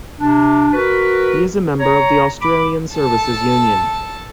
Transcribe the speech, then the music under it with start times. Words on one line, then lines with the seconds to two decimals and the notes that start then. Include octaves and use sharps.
He is a member of the Australian Services Union.
0.19 C3 D4
0.73 F#4 A#4 B4
1.80 C#5 A#5
2.40 B5 D6
2.95 A4 A5